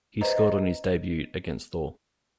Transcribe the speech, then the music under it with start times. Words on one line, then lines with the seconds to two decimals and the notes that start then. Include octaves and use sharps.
He scored on his debut against Thor.
0.21 B4 C5 D#5 A#5